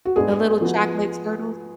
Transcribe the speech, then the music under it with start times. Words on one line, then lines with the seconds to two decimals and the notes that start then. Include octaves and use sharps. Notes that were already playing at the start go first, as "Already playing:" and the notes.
The little chocolate turtles?
0.05 F#4
0.16 G#2 G#3 B3 D4 G#4
0.61 F3 B3 F#4